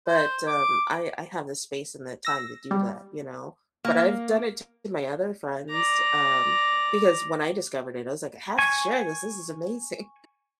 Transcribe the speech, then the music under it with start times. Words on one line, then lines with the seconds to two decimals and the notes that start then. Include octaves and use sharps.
but, um, I I have the space and the time to do that, you know, but I've done it to my other friends, um, because when I discovered it, I was like, "I have to share this, this is amazing,
0.07 C5
0.47 D6
2.25 E6 A#6
2.71 G3
3.85 A#3
5.70 D5 A#5
8.59 G#5 C#6